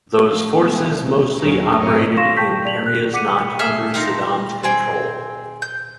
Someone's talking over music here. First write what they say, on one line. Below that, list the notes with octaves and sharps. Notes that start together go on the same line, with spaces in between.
Those forces mostly operated in areas not under Saddam's control.
F3
E3 F3 G#3 A3 B3
G3
D#2 D#3 F#3 C#4 G#4 A#4
G#2 A3 C4 A#4 C#5 D#5
F5 C6 C#6 A#6 E7
G5 A5 C#6 G6 B6
D5 F7 F#7
F#6
G#4 F#5 D6 B6 C#7 D#7
G#4 A4 E5 F6
D#4 F4 G4 A#4
C4 G#4 G5
G6